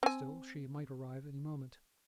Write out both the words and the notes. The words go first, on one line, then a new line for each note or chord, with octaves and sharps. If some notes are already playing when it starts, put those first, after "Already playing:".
Still she might arrive any moment.
C4 G#5